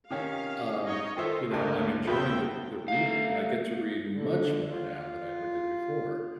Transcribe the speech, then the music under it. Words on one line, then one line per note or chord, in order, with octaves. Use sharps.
um, you know, I'm enjoying the the reading, and I get to read much more now than I ever did before,
C3 D#3 C#4 F5
D#4 C#5 D#5
D#3 F4 A4 C5 E5
G#1 D2 G#2 A#3 A#4
B1 E2 E5 G5 B5
A3 F5
D3
F4